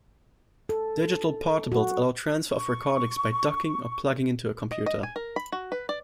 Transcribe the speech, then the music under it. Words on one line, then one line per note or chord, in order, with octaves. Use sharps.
Digital portables allow transfer of recordings by docking or plugging into a computer.
A4
F#4
C#6
D#5
D#5
G#5
A#4
B5
F#4
B4
D5